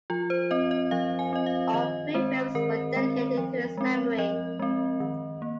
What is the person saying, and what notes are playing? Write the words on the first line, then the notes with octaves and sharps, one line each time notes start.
All three films were dedicated to his memory.
F3 F4
C5
C4 D#5
D#5
F3 F5
G#5
C4 D#5
F5
D#3 D#5
G#3 C4 C5
D#3 A#4
G#3 C4
F3
G#3 C4
F3 D#5
G#3 C4
D#3
A#3